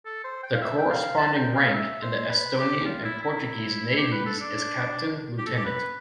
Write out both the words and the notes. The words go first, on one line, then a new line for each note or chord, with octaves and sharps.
The corresponding rank in the Estonian and Portuguese navies is captain lieutenant.
A4
C5
G5
F5
E5
G5
F5
A5
G5
F5
E5
C5
B4
G4
F4
E4
E4
G4
B4
A4
D4
G4
A4
G4
B4